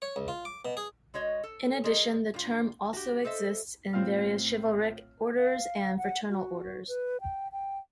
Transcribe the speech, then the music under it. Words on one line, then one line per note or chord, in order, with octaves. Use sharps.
In addition, the term also exists in various chivalric orders and fraternal orders.
C#5
C#2
F4
D6
B2
G#4
G#3 F#4 C#5 D#5
A4
G#3 G#4 A#4 D5 D#5
G2 F4
F#4 G4
A4 C5 D#5 E5
A2 C4 F4 F5 F6
F5
F#5
F#4
B4
G5
G5